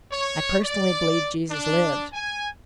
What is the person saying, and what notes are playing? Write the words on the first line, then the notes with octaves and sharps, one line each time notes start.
I personally believe Jesus lived.
C#5
D5
D4
G#5